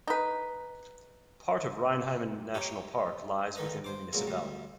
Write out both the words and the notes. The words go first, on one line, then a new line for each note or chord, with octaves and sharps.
Part of Reinheimen National Park lies within the municipality.
D#4 B4
D#4 G4 C#5
D3 D#3 B4 D#5 D#6
C5 D6
B1 A#2 F#3 G#3 E4
D2 G3